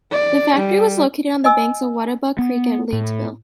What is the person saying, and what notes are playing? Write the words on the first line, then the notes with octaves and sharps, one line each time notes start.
The factory was located on the banks of Webatuck Creek at Leedsville.
D5
G3
D#5 G#5 E6
B3
A2